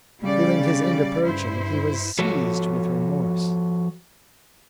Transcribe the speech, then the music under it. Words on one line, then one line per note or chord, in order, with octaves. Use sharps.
Feeling his end approaching, he was seized with remorse.
C#3 G3 D5
G2 E4 C5
F3 F#4 A4 C#5